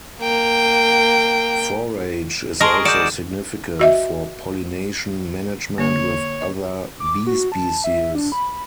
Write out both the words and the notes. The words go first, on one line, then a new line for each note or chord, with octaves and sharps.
Forage is also significant for pollination management with other bee species.
A#3 G5
G#3 G#4 A#4 D#5 A5 C6 C#6 D7
F#4 D5 D6 G6 E7
F#4 D#5 E5
D3 A#3 C#5
D6
F#4
A5
E5
D4
B5